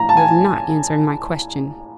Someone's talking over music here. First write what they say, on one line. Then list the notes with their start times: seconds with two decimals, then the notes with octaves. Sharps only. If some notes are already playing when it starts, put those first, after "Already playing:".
You have not answered my question.
Already playing: A#1 A2 E3 A#5
0.09 A5
0.17 G#5